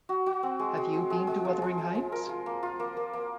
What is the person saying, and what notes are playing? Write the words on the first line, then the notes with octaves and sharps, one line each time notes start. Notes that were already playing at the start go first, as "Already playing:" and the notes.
Have you been to Wuthering Heights?
F#4
F#4
C4
G#3
G#3
G#3
G#3
G#3
F3
F3
G#3
F3
A#4
F4
A#3
F4
A#3
A#3
A#3